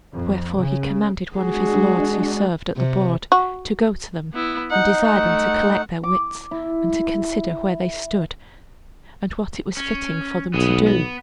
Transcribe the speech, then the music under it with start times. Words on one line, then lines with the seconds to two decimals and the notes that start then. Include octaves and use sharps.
Wherefore he commanded one of his lords, who served at the board, to go to them and desire them to collect their wits, and to consider where they stood, and what it was fitting for them to do.
0.12 F2
0.58 C#3
1.36 G#3 D4 F#4 G#4
2.77 C3
3.32 F#4
4.34 B3 E4
4.71 D#4 F#5
5.05 A3 F#5
6.03 D6
6.51 E4
9.77 C#4
10.54 B1 B3 G#4
10.86 B3